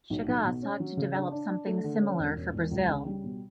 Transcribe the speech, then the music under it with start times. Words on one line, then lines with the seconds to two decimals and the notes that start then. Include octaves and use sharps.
Chagas sought to develop something similar for Brazil.
0.10 B1
0.28 B1
0.44 B2
0.62 C#4
0.80 F#3
0.97 C#3
1.15 D4
1.31 D4
1.49 D4
1.67 A3
1.84 D3
2.02 C#4
2.19 E1
2.36 E1
2.54 E1
2.71 C#2
2.89 C#3
3.06 G3
3.24 B2